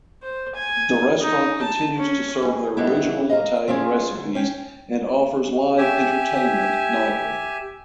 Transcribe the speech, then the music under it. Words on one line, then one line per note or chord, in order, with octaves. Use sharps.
The restaurant continues to serve their original Italian recipes and offers live entertainment nightly.
C5
G#5
D#4
A5
C#4
D#2 G#4
D#3 G3 B3 D4 E4
D#5 F5 A#5
F3 A3 C#4 F4 G#4
D2
C#4 G5
G4 E5 G#5